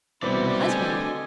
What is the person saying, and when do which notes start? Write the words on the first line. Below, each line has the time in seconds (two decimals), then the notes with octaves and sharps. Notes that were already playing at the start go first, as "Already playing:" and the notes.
Her husband?
0.22 C2 B2 G3 C4 E4 F#4 B4 D5
0.61 D3 A3 D#5 G#5